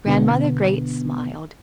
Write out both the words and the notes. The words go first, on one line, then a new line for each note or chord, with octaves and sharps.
Grandmother Great smiled.
B2 D3 B3